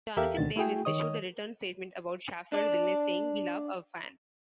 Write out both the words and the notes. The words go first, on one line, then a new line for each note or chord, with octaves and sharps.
Jonathan Davis issued a written statement about Shaffer's illness saying, We love our fans.
E2 G4 A4 A#4 E5 F5
D2 B2 D3 D#3 A6
A3 E4 F#4 G#4 G5
D#3 C#5 D#5 D#6
D4 D5